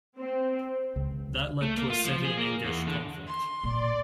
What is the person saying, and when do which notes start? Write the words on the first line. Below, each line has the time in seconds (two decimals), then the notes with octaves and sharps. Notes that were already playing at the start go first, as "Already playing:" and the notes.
That led to Ossetian-Ingush conflict.
0.18 C4
0.96 C#2
1.62 A3
1.78 A#3
1.90 F4
2.05 F3
2.24 G#4
2.37 A#3
2.65 E2
2.87 D3
3.28 C6
3.64 A#2 D5